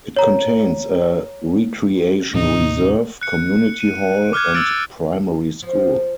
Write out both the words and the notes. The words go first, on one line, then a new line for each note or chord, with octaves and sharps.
It contains a recreation reserve, community hall and primary school.
C#5 A#5
D#2 A2 C3 D#4
F#6 C#7
D#7
D6 F6 F#6 G#6
E6 A6 D7
F3